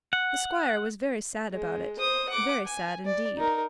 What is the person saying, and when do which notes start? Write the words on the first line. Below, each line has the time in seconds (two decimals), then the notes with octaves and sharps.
The squire was very sad about it,--very sad indeed.
0.13 F#5
1.51 G#3
1.99 C5 D#6
2.29 F#5 D6
2.66 G#5
3.06 D5
3.37 D#4 A#4